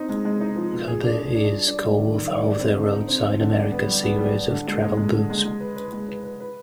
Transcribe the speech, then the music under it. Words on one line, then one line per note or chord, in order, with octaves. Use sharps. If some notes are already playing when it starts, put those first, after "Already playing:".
Kirby is co-author of the "Roadside America" series of travel books.
Already playing: C4 D#4
G#3
G#3
D#4
F3
B2
G#4
D4
D4
D4
G3
D4
G3
D#3
D#3
G3
D4
C4
D3
D#4
C4
C4
D3
G3
B3
G3
B3
G3
G3
D3
G#3
G#3
G#3
D3
G#3
G#3
B4
B4
G#3
B4
B4
B4